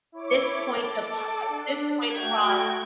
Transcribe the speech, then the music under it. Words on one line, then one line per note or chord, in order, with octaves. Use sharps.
this point of pa this point across
E4 C#5 D6
A4 D6
D4
A3 F#4 G5 G#6